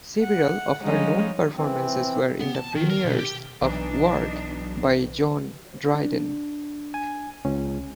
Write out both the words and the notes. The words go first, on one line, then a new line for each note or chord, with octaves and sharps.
Several of her known performances were in the premieres of work by John Dryden.
F#5
F3 G3 G#3 C#4 D#4
E3 C4
B3
A5
D#3
A#4
B1
G4
B1 E3 D4 D#4
D4
G#5
C#2 C#4